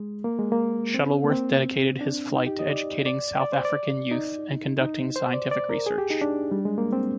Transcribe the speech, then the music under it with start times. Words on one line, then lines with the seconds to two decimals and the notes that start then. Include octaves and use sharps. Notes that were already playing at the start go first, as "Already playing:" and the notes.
Shuttleworth dedicated his flight to educating South African youth and conducting scientific research.
Already playing: G#3
0.24 A#3
0.39 G#3
0.52 A#3
0.94 C4
1.24 A#3
1.30 C4
2.01 D4
2.36 D#4
2.47 G4
2.59 D#5
2.70 D5
3.06 D5
3.41 D5
3.52 C5
3.65 D5
4.11 D#4
4.81 D#4
5.16 C5
5.34 D5
5.51 D5
5.69 A#4
5.86 G#4
5.98 G4
6.10 D#4
6.21 D4
6.51 G3
6.65 G#3
6.78 A#3
6.93 C4